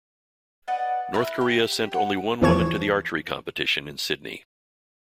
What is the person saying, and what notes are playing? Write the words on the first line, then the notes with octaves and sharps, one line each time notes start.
North Korea sent only one woman to the archery competition in Sydney.
B4 D5 D#5 F#5
E4 A#4 F#6
G4
G4
F#5 G5
E2 E3 F3 C#6 G#6 E7